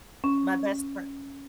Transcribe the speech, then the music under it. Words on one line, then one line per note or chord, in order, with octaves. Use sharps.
My best friend
C#4